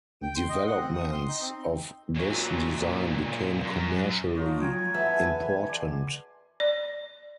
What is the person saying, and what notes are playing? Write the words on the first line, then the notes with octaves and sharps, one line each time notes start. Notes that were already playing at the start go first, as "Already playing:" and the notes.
Developments of this design became commercially important.
G5
C6
D#5
F#5
C4
D#6
C6
D#4
C4
A#2 F#3
F#2
D#4 F4 A#4 C#5
F#3 G5 G#5 A#5
E2 B3 E4 G#4 E5 A5
D5 G#5 C6
D5